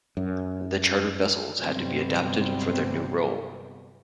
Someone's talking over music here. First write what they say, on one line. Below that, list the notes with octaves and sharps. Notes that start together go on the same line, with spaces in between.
The chartered vessels had to be adapted for their new role.
F#2
G1 C3 F#3 G3 B3 C4